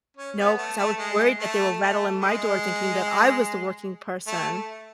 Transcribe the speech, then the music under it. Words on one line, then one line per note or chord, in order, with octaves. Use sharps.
No, 'cause I was worried that they will rattle in my door thinking that I was the working person.
C#4
B3
A3
A3
G#3
A3
A3
G#3
A3